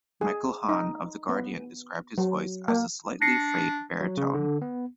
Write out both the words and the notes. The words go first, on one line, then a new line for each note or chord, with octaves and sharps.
Michael Hann of "The Guardian" described his voice as a "slightly frayed baritone".
G#4
D#4
B3
F#3
A#3
D4 A#6 C7 C#7
F#3
C#3
D3
B3